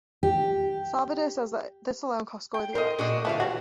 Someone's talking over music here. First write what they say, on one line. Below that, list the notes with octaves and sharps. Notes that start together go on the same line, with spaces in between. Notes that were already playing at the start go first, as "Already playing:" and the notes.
Salvado says that this alone cost Gore the election.
G4
G5
A#4 C5 D#5
A#2 D4 F#4 G#4 D#5
D3 F3 G3 A3 E4 B4 F5
E3 F#4 G4 C#5